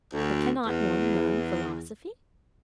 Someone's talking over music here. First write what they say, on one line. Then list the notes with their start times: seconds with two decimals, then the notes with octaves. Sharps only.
"But cannot one learn philosophy?"
0.13 D2
0.65 E2